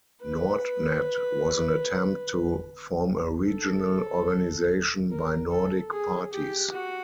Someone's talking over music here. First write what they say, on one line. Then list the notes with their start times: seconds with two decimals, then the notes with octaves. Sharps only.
NordNat was an attempt to form a regional organisation by Nordic parties.
0.22 B4
3.47 A4
5.11 A#4
5.50 A4
5.91 G#4
6.32 G4
6.73 F#4